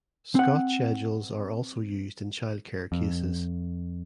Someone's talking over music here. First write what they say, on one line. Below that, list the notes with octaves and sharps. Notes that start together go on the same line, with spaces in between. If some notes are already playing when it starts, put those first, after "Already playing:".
Scott schedules are also used in child care cases.
C4 F#5
F2